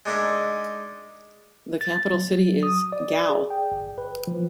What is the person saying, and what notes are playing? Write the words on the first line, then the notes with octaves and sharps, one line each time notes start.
The capital city is Gao.
G#3 D4 D#4 G#4 A#4 E5
A6
F#3
D#6
D5
G#4
G5
G1
B4
F3